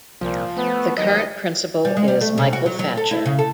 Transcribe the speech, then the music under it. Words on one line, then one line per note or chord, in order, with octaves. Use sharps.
The current principal is Michael Thatcher.
C2 A#2 F3
A3 B3
D#2 F#3 D#5
G3
G#3
G3
A3
C3
F#4
F#3
F#3
A4
E4
C#3
A4